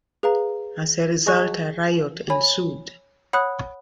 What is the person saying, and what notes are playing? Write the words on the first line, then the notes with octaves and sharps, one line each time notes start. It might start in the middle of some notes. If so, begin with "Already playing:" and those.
As a result, a riot ensued.
G#4 B4 F5 A#5
G#4 D#5 G#5 C#6 F#6
C#5 G#5 B5
C#5 F#5 B5 D#6 F#6